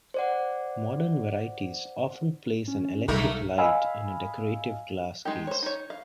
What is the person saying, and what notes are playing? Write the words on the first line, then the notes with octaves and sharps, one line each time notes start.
Modern varieties often place an electric light in a decorative glass case.
C5 D5 F#5
C#4
B1 C#3 G3 A3 A#3 D#4 A#4
D#5 F5 G#5 B5 E6
G#3 D#4 G4
C5 C#5
D#4 C#5
F5